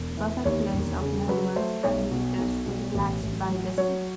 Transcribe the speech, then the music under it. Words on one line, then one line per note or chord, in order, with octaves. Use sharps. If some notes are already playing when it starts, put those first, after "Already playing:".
A perfect place for members and visitors to relax by the sea.
Already playing: E1
E3
D#2 C#5
E1
C#3
F#3 B4
A3 C5
B1 C#5
B2
B1
B2
A1
A1
F#3
F#3 C#5